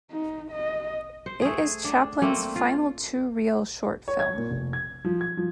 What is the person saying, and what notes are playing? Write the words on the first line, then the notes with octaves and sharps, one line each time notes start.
It is Chaplin's final two-reel short film.
D#4
D#5
C5
A3 G#4
D4
A3 A#3 C4
F4
C#5
G#6
A#2
F1
G#6
F3
G#6
F3